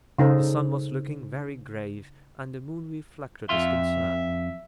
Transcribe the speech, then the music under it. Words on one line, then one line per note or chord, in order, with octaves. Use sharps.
The sun was looking very grave, and the moon reflected his concern.
C#3 D#4 A4 C5
F2 E5 F5 C6